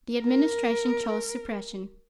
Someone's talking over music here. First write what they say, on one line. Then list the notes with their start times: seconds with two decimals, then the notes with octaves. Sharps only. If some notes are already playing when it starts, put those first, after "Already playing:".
The Administration chose suppression.
0.20 A#4